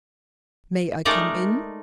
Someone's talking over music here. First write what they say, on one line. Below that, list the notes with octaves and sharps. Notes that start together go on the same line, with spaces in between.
"May I come in?"
G#3 A3 D#4 A#4 D5